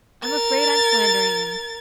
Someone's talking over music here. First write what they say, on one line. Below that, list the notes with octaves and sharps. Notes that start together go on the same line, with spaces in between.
I'm afraid I'm slandering him.
A#4 A6